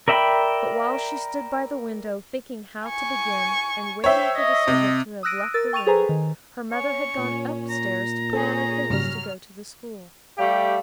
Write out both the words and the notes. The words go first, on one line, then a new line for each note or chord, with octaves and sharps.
But while she stood by the window, thinking how to begin, and waiting for the servant to have left the room, her mother had gone up-stairs to put on her things to go to the school.
A#4 D5 E5 G5 B5
G#5 C#6
C5 C#5 E5 G5
D#5
C3
D#6 E6 F#6 A#6 D7 D#7
A#4 E6 A6
G5 C#6 A6 D#7 F7
G#4 A4 B4 C5 G#5 A#5
D#3
C#4 C#5 C#6
A#2
A#5
C#4 G#4 A4
G#2 C#3 F#3 G3 F6
G3 A3 G4 F5